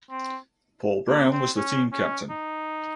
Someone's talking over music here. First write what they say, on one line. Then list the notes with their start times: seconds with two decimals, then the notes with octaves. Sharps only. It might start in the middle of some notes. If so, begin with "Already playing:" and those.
Paul Brown was the team captain.
0.10 C4
1.07 A#3
1.32 C4
1.57 C#4
1.92 C#4
2.30 D#4